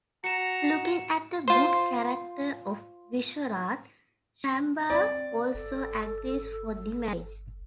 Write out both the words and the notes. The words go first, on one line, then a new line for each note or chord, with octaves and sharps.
Looking at the good character of Vishvarath, Shambar also agrees for the marriage.
F#4 A#5 C#7 E7
F4 C5
C4 D5
G1 A4